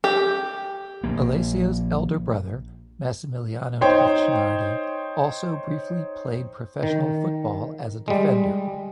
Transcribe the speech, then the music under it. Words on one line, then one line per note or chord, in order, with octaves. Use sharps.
Alessio's elder brother, Massimiliano Tacchinardi, also briefly played professional football as a defender.
G4
A#1 A#3
D#4 C5 C#5 G5
D#3
G3 G#3